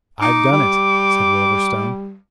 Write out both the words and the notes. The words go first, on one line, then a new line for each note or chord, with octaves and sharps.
"I've done it," said Wolverstone.
D#4 D6
G3